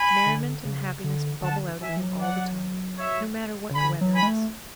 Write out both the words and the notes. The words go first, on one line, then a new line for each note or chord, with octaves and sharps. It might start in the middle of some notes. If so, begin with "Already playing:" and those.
Merriment and happiness bubble out of him all the time, no matter what the weather is.
Already playing: G#5 B5
D3
C#3
D3
D3 F#5 A5
F#3 E5 G#5
E3
F#3
D5 F#5
C#5 E5
C#3
D3 G#5 B5
F#3
G#5 B5
G#3
A3